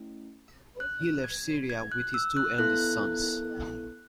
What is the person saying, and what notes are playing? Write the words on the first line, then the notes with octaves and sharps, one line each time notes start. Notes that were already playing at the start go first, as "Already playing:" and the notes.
He left Syria with his two eldest sons.
Already playing: A3 C#4 E4
F#6
G#6
G#6
F#6
E6
F#6
B3 E4 A4 F#6